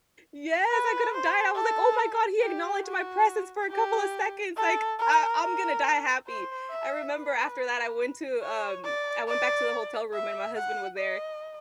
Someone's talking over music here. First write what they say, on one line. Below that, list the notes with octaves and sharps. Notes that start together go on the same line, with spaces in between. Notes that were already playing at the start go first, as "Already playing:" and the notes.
Yes, I could've died, I was like, "Oh my god, he acknowledged my presence for a couple of seconds!" like, "Uh, I'm gonna die happy!" I remember after that, I went to, um I went back to the hotel room and my husband was there,
B4
C5
A4
G4
F#4
G4
A4
A#4
A#4
C5
E5
B4
C#5
D5
D5
E5
F#5
D#5